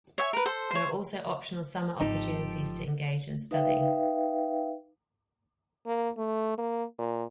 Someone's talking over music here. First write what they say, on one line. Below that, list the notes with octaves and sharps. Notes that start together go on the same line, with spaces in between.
There are also optional Summer opportunities to engage in study.
C#5 E5 G#5
A#4 B4
A4 C5
C5 C#5
G#1 F3 D#4 G4 A4
D#4 B4 E5 F5 G5
A#3
A3
A#3
A#2